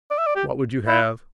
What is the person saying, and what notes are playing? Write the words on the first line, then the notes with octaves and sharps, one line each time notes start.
What would you have?
D5
E5
D5
G4
E4